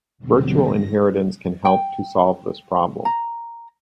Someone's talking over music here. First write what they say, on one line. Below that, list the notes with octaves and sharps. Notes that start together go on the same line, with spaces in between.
Virtual inheritance can help to solve this problem.
E2 B2 D3 F#3 G3 C4
A2 A#6
G5
A#5